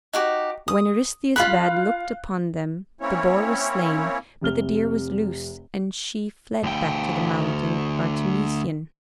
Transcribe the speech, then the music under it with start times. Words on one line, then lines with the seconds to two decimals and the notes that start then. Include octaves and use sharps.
When Eurystheus bad looked upon them the boar was slain, but the deer was loosed and she fled back to the Mountain Artemision.
0.13 D#4 F#4 G4
0.68 D#6
1.36 F4 G#4 F5 B5 F#6
3.01 A#3 C4 C#4 E4 C#5
4.41 F1 C3 F6 G7
6.63 D2 G5